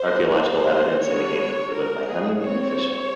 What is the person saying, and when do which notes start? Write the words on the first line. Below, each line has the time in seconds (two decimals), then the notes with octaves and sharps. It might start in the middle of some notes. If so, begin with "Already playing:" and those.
Archaeological evidence indicates that they lived by hunting and fishing.
Already playing: C5
0.32 C5
1.02 D3 G3 B3 D4 C#5
1.72 A#4
2.08 G#4
2.43 G3 C4 C#5